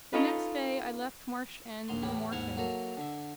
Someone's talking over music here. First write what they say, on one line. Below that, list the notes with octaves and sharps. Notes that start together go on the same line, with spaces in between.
The next day I left Marsh End for Morton.
C#4 D#4 F4 A4 B4
A#1 D#2 A#3 C6
E2 A2 E3 G4 B5
D#2 G#2 E4 F5 F#5 A5
F#3 A#3 A4 A#4
D3 E5